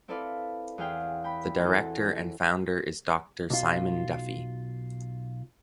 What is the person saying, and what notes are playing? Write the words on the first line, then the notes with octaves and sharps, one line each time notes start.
The Director and founder is Dr Simon Duffy.
C4 E4 A4 B4 D5 F5
E2 G#4 F5 G5
G5 B5
E3 C4 F#4 A4
B1 F4